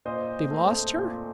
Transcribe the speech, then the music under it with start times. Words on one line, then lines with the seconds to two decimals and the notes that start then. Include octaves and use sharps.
"They lost her?"
0.05 A#2 C5 D#5
0.51 A3 C4
0.96 A#2